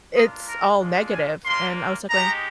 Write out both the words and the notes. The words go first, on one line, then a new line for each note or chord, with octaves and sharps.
it's all negative. And I was, like, going,
A#3 D4 F4 D#5
A#4
G#3 D4 F4
G#5
A#3 D4 F4 C6
G#3 D#4 G4 A#5